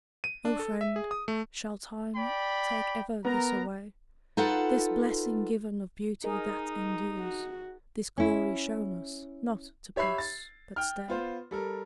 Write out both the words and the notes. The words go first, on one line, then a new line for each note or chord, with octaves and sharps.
O friend, shall time take ever this away, This blessing given of beauty that endures, This glory shown us, not to pass but stay?
D#7
D4
A4
E5
G#4
D#6
A3
D5 G5 B5
B3 A#4 A#5
D#4 F4 A4 B4 F#5
D#4 G#4 A#4 D#5
F#4
C#4 E4
G4 C#5 E5 B5 C7
A6
G5 F6
B3 F4 C5
G3 A4 A#4